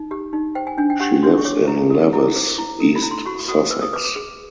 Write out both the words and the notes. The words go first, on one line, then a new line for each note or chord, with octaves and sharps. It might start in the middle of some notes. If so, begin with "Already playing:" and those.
She lives in Lewes, East Sussex.
Already playing: D#4
G4
D#4
C5 G5
G#5
D4 G#5
G5
G4 F#5
D4 C6
C#6
C#5 D6
E4
A4
E4
C5 D6
E4
A4
B5
E4
C6
F#4 C#6
F#4 D#6
B4 E6
D#6
B4 D6
D6
G#4